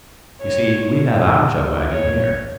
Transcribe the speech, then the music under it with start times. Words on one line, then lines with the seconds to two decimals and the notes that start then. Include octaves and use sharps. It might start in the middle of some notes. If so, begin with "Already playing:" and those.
You see we have our chuck wagon here.
0.41 C#5
1.91 C#5